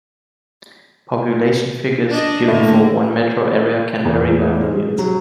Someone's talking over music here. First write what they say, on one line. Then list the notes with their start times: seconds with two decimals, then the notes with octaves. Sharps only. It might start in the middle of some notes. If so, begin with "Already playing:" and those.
Population figures given for one metro area can vary by millions.
2.10 D4 D#5
2.48 A2 D3 A3 A#3 E4
4.05 E2
4.61 G#3
4.98 F#3